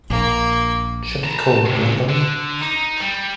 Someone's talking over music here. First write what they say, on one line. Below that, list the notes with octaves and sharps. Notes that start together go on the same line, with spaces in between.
Shall I call upon them?
A#1 A#3
A5 A#5
C#2 C3
D3
D#4
G3